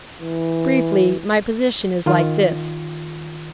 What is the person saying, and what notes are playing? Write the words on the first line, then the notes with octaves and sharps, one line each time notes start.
Briefly, my position is like this.
E3
D#3 F4